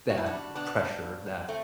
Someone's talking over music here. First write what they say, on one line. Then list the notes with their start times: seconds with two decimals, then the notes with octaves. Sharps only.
that pressure, that
0.09 B2 F#4
0.18 E4
0.26 D4 F#4
0.33 G3
0.55 B2 B3 D4
0.79 G3
1.02 G2
1.26 F#3
1.48 A3 C4